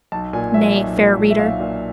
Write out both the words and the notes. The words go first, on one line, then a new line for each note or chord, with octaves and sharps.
Nay, fair reader.
B1 A5
A#2 G#5
F#3 E5
B1
A#2
A#2
E5
B1 F5
A#2